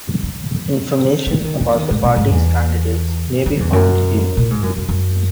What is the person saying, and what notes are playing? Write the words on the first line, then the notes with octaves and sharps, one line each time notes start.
Information about the party's candidates may be found here.
F#3
E3
D#3
E3
D#3
G#2
A#2
G#2
E2
F#2
E2
F#2
A#2
G#2
F#2
F#2
F#2